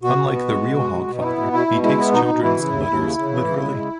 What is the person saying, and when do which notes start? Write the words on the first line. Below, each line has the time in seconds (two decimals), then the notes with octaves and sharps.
Unlike the real Hogfather, he takes children's letters literally.
0.03 B2 F#4
0.18 B2
0.33 B3
0.48 G#3
0.63 B2
0.78 G#3
0.92 B2
1.07 B2
1.19 D#4
1.23 B3 E4
1.38 B2
1.53 B2 E4
1.67 B2
1.83 G#3 E4
1.98 B3
2.12 B2 D#4
2.28 B2
2.43 E3 E4
2.57 C#3
2.72 D#2
2.88 D#2
3.02 C#3
3.17 C#3
3.33 E3
3.48 C#3
3.62 G#3
3.78 C#3